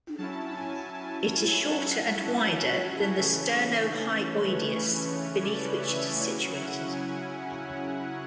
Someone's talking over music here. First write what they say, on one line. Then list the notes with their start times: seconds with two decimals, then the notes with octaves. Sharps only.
It is shorter and wider than the sternohyoideus, beneath which it is situated.
0.18 F#3 C#4 E4 A5
0.56 G#5
0.94 A5
1.30 G#5
1.68 F#5
2.44 C#5
3.17 C#3 E3 A3 C#4
3.93 C#5
4.31 B4
4.68 C#5
5.43 D5
5.80 E5
6.18 C#3 F#3 C#4 E4
6.56 F#5
6.93 G#5